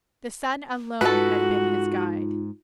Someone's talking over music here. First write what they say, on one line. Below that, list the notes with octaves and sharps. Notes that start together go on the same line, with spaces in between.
The Sun alone had been his guide.
G#2 D#4 F4 F#4 A4 B4